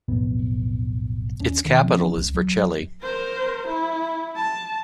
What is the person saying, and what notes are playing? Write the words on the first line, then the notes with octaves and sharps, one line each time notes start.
Its capital is Vercelli.
B1 F2 A2 B3
D#2 C#4 D4
B2 D#3
C#3 F3 C4 C#4
C#2
F#3
A#4 C5
E4
A5